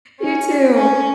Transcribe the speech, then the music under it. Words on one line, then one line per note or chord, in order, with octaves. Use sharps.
You too.
C#4
C#4